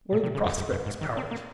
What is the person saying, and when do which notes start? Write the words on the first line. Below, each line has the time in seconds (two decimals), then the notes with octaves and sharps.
"What are the prospects, Powart?"
0.13 A#2
0.23 C3
0.35 C#3
0.45 F2
0.57 F#2
0.72 F#2
0.86 G#2
1.01 D#3
1.17 C4
1.31 A#3